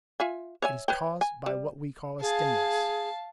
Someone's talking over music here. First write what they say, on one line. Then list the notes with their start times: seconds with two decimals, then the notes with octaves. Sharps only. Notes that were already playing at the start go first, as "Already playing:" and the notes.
It is caused by what we call a STIMULUS.
0.20 F4 E5 G#5
0.62 C#5 E5 G#5
0.88 B4 C#5 G5
1.21 G#5
1.46 G3
2.22 G#4 F5 A5